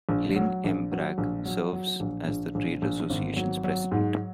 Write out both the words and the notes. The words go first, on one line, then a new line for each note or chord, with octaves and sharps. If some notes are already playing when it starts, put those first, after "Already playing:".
Lynn M. Bragg serves as the trade association's President.
A#1
F#3
A#1
F#3
A#1
F#3
F#3
A#1
A#1
A#1
A#1
G#1
F#3
F#3
G#2